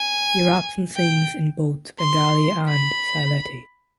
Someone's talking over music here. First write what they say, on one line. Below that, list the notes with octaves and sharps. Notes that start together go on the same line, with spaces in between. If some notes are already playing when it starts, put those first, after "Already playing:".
He raps and sings in both Bengali and Sylheti.
Already playing: G#5
G5
C6
B5